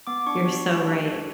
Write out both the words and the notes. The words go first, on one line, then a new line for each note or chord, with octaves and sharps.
You're so right,
B3 D6
D4 C#6
G4 C#6
A3
D4
G4